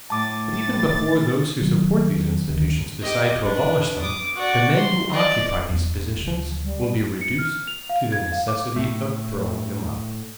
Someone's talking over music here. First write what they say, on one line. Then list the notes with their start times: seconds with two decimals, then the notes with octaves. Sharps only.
But even before those who support these institutions decide to abolish them, the men who occupy these positions will be reduced to the necessity of throwing them up.
0.10 A2 A5 D6 A6
1.62 D#3 F#3
2.49 D2 D#3
3.01 G4 D#5
3.43 D4 B4
4.01 D6 D#6
4.36 F#4 D5
4.76 C6
5.11 D5 D#5
5.70 E2 B3
6.17 D2 C#3
6.63 G3
7.21 C#7
7.38 F6
7.67 F7
7.89 F5
8.12 G#6
8.32 F5
8.48 D6
8.76 A2 A3